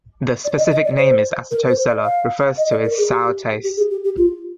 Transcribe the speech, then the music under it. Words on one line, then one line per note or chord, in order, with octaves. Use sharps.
The specific name is acetosella, refers to its sour taste.
D5
D#5
D#5
D5
C5
A#4
C5
D5
F5
D#5
D5
A#4
G#4
G4
G4
G#4
G4
G4
F4